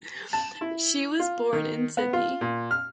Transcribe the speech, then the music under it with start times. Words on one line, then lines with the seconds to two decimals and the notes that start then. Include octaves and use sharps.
She was born in Sydney.
0.33 A5
0.61 E4
1.20 F4
1.53 D#3
1.97 B3
2.13 F4
2.41 A#2
2.71 F6